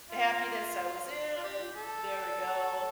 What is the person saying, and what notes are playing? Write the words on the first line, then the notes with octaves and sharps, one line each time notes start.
Happiness I was in. There we go.
F4
F4
G4
A4